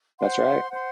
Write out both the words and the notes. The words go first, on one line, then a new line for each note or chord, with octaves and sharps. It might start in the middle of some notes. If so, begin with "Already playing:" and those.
That's right.
C5 F#5 C6
C5 F#5 C6